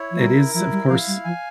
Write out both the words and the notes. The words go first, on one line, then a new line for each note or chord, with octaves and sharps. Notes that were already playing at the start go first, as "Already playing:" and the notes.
it is, of course,
Already playing: E4 C#5
F3
G3 A#4
F3 E4
G3
F3 F5
G3
F3 G#5